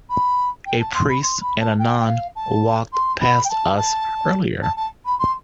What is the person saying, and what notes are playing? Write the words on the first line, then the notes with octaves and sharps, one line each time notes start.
A priest and nun walked past us earlier.
B5
G5
A5
C6
B5
C6
B5
A5
G5
G5
F5
A5
C6
B5
G5
A5
A5
A5
A5
B5
C6